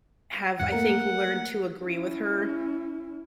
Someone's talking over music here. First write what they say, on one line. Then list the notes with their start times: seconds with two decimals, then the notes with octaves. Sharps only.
have, I think, learned to agree with her,
0.60 E2 G#2 F#5
0.72 A3 A#3 A#4
1.83 C#4 E4